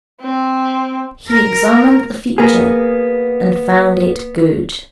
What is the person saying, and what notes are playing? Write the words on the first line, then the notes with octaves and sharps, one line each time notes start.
He examined the future, and found it good.
C4
A#4
A#3 B3 G#4